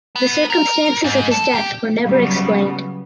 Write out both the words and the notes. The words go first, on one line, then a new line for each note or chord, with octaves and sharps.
The circumstances of his death were never explained.
B3
A#4
G#2
A4
G4
C#3 F#3 G3 B3